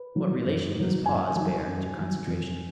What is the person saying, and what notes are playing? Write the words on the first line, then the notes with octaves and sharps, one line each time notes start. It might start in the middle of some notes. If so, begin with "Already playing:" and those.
What relation does pause bear to concentration?
Already playing: B4
D#3 F#3
F#2
D#3 F#3
F#2 G#5
D#3 F#3 G#5
F#2
D#3 F#3
F2